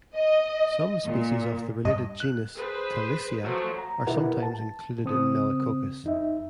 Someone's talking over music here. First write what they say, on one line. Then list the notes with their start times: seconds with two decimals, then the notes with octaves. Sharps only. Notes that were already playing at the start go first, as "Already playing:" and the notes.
Some species of the related genus "Talisia" are sometimes included in "Melicoccus".
0.15 D#5
1.05 A#2
1.85 G2 D#5
2.20 F#6
2.55 G#4 B4 C5
3.41 F3 F#3 A3
3.78 A#5
4.07 B2 E4 G4 A#4 B4 F#5
4.43 A5
5.04 C#3 C4 D#6
6.04 F2 D#4 E5